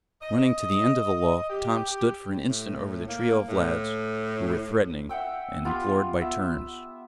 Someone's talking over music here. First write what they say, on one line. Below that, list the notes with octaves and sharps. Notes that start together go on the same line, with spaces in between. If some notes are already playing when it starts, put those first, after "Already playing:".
Running to the end of the loft Tom stood for an instant over the trio of lads who were threatening and imploring by 'turns.
D#5
G4
A2
A#3
A2
E5 F#5 G5 E6
B3 F4 G4
B3 E5